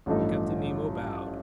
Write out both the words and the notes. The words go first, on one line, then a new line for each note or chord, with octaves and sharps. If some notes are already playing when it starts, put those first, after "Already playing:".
Captain Nemo bowed.
A1 G2 F3 A3 D#4